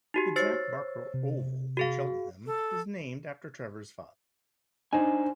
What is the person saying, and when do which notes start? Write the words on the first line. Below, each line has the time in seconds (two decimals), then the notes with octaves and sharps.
The Jack Barker Oval in Cheltenham is named after Trevor's father.
0.14 D#4 F#4 G4
0.36 C5 C#5 E6 A6 C7
1.14 C3
1.77 F#4 G#4 F5
2.46 A4
4.93 D4 D#4 C5 G#5